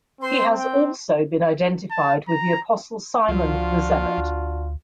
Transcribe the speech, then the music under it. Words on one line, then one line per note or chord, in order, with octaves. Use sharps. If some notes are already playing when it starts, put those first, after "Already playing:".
He has also been identified with the Apostle Simon the Zealot.
C4 C5 C6
G5
A5
A#5
C#2 F3 D4 F4 F#4
D2